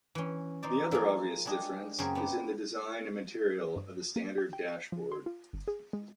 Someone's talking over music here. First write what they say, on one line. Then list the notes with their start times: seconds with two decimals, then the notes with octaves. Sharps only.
The other obvious difference is in the design and material of the standard dashboard.
0.15 E3 C#4
0.63 E3 D#4 C5 D5
0.92 F3 A#3 F4 G#4
1.45 G3 G#3 D4 G#4 D#5
1.99 F#2 C#3 A#3 C4 G#4 G#5
2.15 B3 C4 D4 G4
3.76 G2
4.16 A#3
4.38 G4
4.53 G5
4.92 F3
5.12 C6
5.26 F4
5.53 G1
5.68 G#4
5.93 G#3